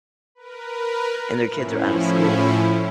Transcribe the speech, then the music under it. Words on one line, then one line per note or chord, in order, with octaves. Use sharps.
and their kids are out of school,
A#4 B4
A2 F3 C#4 E4